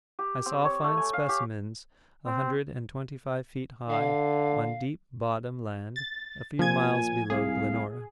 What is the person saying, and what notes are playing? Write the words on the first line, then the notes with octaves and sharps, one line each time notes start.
I saw fine specimens a hundred and twenty-five feet high on deep bottom land a few miles below Glenora.
G4
C4
C#5
A3
G#5
F5
G4
C4
D3 F5
A6
A#2 F3 G#5 G#6
C2 G#4 F5